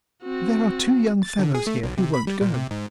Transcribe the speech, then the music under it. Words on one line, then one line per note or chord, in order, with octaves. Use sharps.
"There are two young fellows here who won't go."
C4 F#4
A6
D3
G#4
A3
B1
C3
B5
G3
A#2
C3
G#2